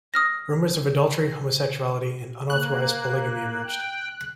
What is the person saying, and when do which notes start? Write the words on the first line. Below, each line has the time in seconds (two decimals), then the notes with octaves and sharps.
Rumors of adultery, homosexuality, and unauthorized polygamy emerged.
0.14 D#6 F6 A#6
2.50 A#3 F#6
3.64 G5